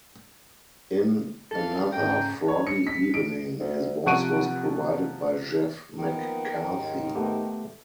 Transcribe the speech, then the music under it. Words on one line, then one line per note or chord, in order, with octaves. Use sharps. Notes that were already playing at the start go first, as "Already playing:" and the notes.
In "Another Froggy Evening", his voice was provided by Jeff McCarthy.
E3 A4 F5
G#2 C#4 G5 A#5
C#5
C#7
B6
D7
D2
C3 F3 F#5 C#6 D7 D#7
D#3 F3 A#3 B3
D#2 G#2
A3 B3 G4